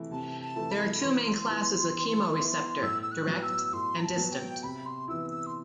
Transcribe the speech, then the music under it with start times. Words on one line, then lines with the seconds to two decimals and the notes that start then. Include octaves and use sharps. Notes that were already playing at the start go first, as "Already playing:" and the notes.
There are two main classes of chemoreceptor: direct and distance.
Already playing: C3 E3 A3 E4
0.11 C3 A5
0.41 A5
0.56 E3 A3 E4
0.71 B5
1.01 E3 C6
1.47 B3 E4
1.92 E3
2.37 B3 E4
2.82 A2 E6
3.02 E6
3.12 F#6
3.27 F#3 B3
3.43 E6
3.73 A2 C6
4.02 A5
4.18 F#3 B3
4.33 G5
4.63 C3 B5
4.86 C6
5.08 E3 B3 E4 E6
5.30 E6
5.46 C6